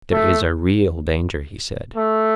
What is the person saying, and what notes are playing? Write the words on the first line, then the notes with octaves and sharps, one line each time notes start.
There is a real danger, he said.
A3
A3